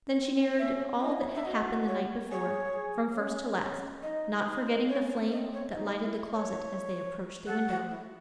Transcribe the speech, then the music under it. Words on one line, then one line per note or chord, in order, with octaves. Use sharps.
Then she narrated all that had happened the night before, from first to last, not forgetting the flame that lighted the closet as they approached the window.
C4
C#4 E5
E4 D#5
E5
F#4 D#5
C#5
G#4 C#5
G#4
C#4
D#4 D#5
D#4
C#4 C#5
C5
C4 D#5
C#5
D#4
E4
C#5
A4 F#5
F#4
E4